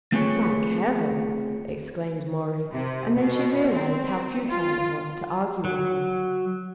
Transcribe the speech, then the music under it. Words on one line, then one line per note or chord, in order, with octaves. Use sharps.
"Thank heaven!" exclaimed Maurie, and then she realized how futile it was to argue with him.
A3 C4 F4 G#4 B4 C#5
C3
B2
C4
F4
F#3